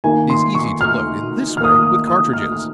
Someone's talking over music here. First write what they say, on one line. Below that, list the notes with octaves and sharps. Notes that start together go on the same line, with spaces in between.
It is easy to load in this way with cartridges.
D#3 A#3 G#5
C6
C#6
F6
D#3 A#3 D#6 F6
F6
D#6
D#6
F6
F6